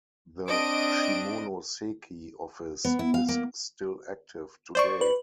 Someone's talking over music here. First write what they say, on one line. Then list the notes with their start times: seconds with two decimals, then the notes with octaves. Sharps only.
The Shimonoseki office is still active today.
0.47 C4 D4 D#5 D7
2.84 B3
2.99 E4
3.14 F5
3.29 A#3
4.75 C5 D5 C#6
5.01 B4